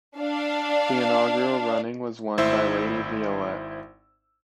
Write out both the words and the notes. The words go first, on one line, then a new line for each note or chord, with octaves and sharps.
The inaugural running was won by Lady Violette.
D4 F5
G#1 E4 C5 E5 E6